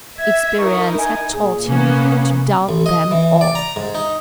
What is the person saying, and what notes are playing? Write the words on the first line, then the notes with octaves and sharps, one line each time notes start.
Experience had taught him to doubt them all.
E5 G#6
D#4 E4 A#4 C#6
G#5
A#2 G#4
C3 A#3 B3 C#4
A1
D#5
E3
D5
A#5
G#2
D#4